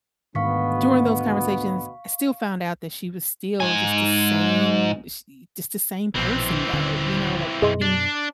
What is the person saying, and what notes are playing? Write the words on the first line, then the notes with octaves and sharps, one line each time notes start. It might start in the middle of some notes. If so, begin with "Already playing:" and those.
during those conversations, I still found out that she was still just the same she just the same person, though, you know? Like, thing
D2 G#2 B2 D#3 B3 F5 C#6 B6
G#2 G#5
A#1 B2 E3 C4
D#1 D3 C#4
F#2 B2 G#4 D#5 C6
D4